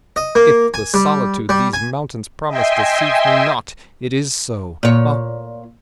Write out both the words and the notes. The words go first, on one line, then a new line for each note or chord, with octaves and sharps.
If the solitude these mountains promise deceives me not, it is so; ah!
D#5
A#3
G#5
G3
G3
G#5
D#5 E5 G5 G#5 C6
A#2 C#5